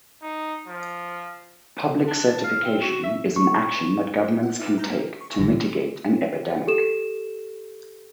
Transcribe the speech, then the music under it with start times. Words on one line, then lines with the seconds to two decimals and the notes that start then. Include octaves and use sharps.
Public certification is an action that governments can take to mitigate an epidemic.
0.23 D#4
0.68 F3
2.07 D4
2.27 A5
2.44 F5
2.65 C4
2.82 F#4
3.04 E5
3.36 C#6
4.43 F#5
4.59 D#4 E5 D6 F6 F#6 A6
4.78 A#5 F6 G6
4.90 A#3
5.21 C#6
5.38 A1 A2 D3 E3 A#6
6.67 G4 A4 E7